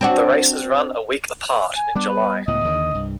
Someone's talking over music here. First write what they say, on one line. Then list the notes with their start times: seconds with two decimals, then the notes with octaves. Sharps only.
The races run a week apart, in July.
0.01 C4 D4 F#4
1.76 G#5
1.95 G3 B3 D4
2.09 B4
2.48 C#2 A2 B3 D#5
2.64 D#2 D3 D#3
2.94 C2 G2